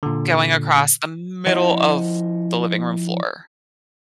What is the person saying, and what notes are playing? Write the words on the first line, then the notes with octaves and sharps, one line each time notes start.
going across the middle of the living room floor.
A#2 D3
F3 E4 C5 D#5 F#5